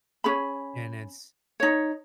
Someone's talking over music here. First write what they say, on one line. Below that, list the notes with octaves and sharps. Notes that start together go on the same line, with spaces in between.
And it's
C#4 G#4 B5
D#4 C#5